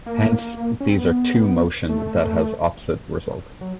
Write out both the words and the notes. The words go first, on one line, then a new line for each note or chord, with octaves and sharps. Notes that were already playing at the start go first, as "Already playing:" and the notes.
Hence, these are two motion that has opposite result.
A#3
C#4
C4
B3
A3
F#3